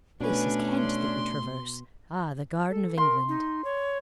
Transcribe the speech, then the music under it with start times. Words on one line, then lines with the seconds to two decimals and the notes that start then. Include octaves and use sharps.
This is Kent that we traverse; ah, the garden of England!
0.20 B2 A3 C#4 D4 B4 G#5
0.77 C6
2.70 A4
2.98 A#4 C6
3.29 D#4
3.64 C#5